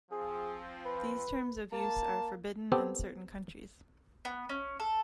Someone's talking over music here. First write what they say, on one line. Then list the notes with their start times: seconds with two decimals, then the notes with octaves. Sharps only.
These terms of use are forbidden in certain countries.
0.11 F3 C4 G#4
0.86 B4
1.72 A#3 A5
2.72 B3 C4 G4 A4
4.25 B3
4.49 C#4
4.80 A4